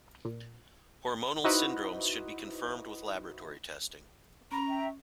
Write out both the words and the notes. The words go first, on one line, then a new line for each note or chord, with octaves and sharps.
Hormonal syndromes should be confirmed with laboratory testing.
A#2
D#4 E4 F#4 B4 C5 D#5
C#4 A#5 B5
E5 G5